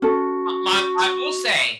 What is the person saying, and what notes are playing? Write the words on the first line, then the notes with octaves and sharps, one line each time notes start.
M my I will say
C#4 F#4 A4